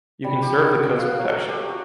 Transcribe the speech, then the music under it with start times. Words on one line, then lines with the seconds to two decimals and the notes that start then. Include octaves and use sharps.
You can serve the coast protection.
0.24 G3
0.42 G4
0.60 F#5
0.75 F#5
0.96 F5
1.18 F#3
1.29 A4
1.49 G4
1.69 F#4